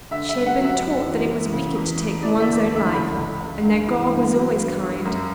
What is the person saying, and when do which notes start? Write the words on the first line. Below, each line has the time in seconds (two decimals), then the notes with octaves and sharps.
She had been taught that it was wicked to take one's own life, and that God was always kind.
0.11 D3 E5
0.29 E5
0.35 G2
0.46 F#5
0.58 F#3
0.64 E5
0.82 F#2
1.05 E3
1.29 E3
1.52 C#3
1.75 E2
1.99 C#3
2.22 E3 D5
2.40 E5
2.47 D2
2.70 E3
2.76 E5
2.93 C#2 B5
3.17 C#2
3.40 C#2
3.64 G2
3.88 E3
4.10 G2
4.34 F#3
4.57 G2
4.81 G2
5.05 F#2